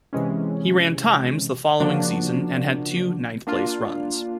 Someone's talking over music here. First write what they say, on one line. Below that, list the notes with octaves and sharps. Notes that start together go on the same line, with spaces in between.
He ran times the following season and had two ninth-place runs.
C3 E3 G#3 C#4
C#3 F3 A#3 D4 F#4
A#3 D4 F4